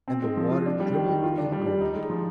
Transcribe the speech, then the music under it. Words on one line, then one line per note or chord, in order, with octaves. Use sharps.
And the water dribbled and dribbled.
C4
G#3
F3
F4
D4
G3
D#3
D#3
F4
D4
G3
G3
D#4
G#3
F3